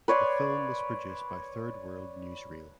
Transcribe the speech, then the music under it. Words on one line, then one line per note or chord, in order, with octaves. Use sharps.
The film was produced by Third World Newsreel.
B4 C#5 D5 C6